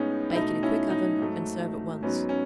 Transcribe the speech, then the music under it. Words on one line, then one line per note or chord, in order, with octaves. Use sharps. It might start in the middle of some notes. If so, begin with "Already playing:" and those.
Bake in a quick oven and serve at once.
Already playing: A2 G#3 B3 C#4 D#4
E4
B2 A3 D#4
C#4 E4
D#4
G#2 F#3 A3
G#2 F#3 B3 C#4
C#4